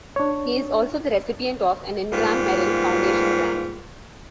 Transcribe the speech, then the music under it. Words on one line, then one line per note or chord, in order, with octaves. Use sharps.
He is also the recipient of an Ingram Merrill Foundation grant.
D4 C#5
G#2 G3 A#3 B3 F4